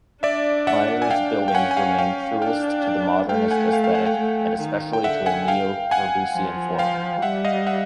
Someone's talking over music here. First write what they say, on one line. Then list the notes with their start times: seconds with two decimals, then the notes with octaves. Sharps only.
Meier's buildings remain truest to the modernist aesthetic and especially to a neo-Corbusian form.
0.23 D4 D5 E5
0.67 E5 F#5
1.02 G#5
1.10 D4 F5 G5
1.48 G5
1.55 C#4 F#5 G#5
1.71 G#5
1.77 F5 G5
1.98 F5 G5
2.42 D4 F5 G5
3.29 A3 F5 G5
3.51 F#5 G#5
3.73 F5 G5
3.84 F5 G5
3.95 F#5 G#5
4.06 F5 G5
4.16 A3
4.61 D#3
4.93 G5
5.04 D3 E5 F#5
5.26 F#5 G#5
5.48 F5 G5
5.91 F#5 G#5
6.35 F3
6.79 F5 G5
7.22 G3 E5 F#5
7.45 D#5 F5
7.66 E5 F#5